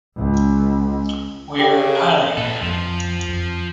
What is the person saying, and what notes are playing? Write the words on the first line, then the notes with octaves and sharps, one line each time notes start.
We're Outta Here!
C#2
C#3 G4 G5 D#6
A#2 A4 B4
F2 F3
F2